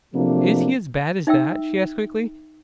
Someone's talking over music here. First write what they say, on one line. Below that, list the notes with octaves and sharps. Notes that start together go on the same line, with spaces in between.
"Is he as bad as that?" she asked quickly.
C3 F3 F#3 A3 A#3 D4
D#4 E5 G5 E6